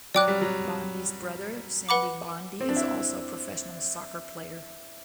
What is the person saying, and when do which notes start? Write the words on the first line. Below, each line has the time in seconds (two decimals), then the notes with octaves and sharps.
Gbandi's brother, Sandy Gbandi, is also a professional soccer player.
0.15 F#3 D5 G5 D6 F#6
0.28 G3
0.41 F#3
1.89 B4 F#5 B5 D6
2.61 C4
2.69 D4
2.77 E4